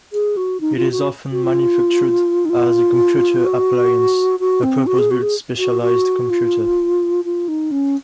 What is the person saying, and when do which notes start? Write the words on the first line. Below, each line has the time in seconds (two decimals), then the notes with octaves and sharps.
It is often manufactured as a computer appliance - a purpose-built specialized computer.
0.13 G#4
0.37 F#4
0.61 D#4
0.76 F4
0.92 F#4
1.32 F#4
1.43 F4
2.45 D#4
2.50 F4
3.45 F#4
4.40 F#4
4.63 C4
4.87 F#4
4.98 G#4
5.11 F#4
5.22 G#4
5.58 F#4
5.82 F#4
6.30 F4
7.25 F4
7.48 D#4
7.71 C#4